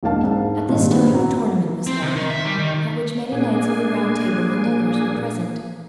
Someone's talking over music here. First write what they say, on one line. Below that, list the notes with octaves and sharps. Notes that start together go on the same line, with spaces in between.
At this time a tournament was held, at which many knights of the Round Table, and others, were present.
E1 B1 A#3 D4 F5 A5
G#2
G#1 G2 A#2 D#3 D#5
A#1 B3 D4 C5
F#3
C4
C3
D#3
E5
G3
D#3
A#2 A#3 D4 G#4 G#5